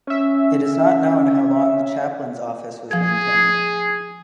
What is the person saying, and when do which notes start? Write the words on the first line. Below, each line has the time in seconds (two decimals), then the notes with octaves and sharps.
It is not known how long the chaplain's office was maintained.
0.07 C#4 E5
2.91 F3 G#4 G#6